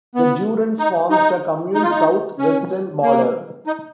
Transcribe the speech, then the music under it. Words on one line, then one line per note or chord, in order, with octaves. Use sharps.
The Durance forms the commune's south-western border.
B3
D#4
D#4
D#4
F4
D#4
C#4
A#3
D#4